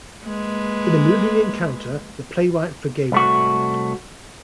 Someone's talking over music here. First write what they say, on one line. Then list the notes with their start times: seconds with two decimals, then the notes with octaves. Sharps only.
In a moving encounter the playwright forgave the pilot.
0.25 G#3 A#3 B4
3.12 C2 A3 F#4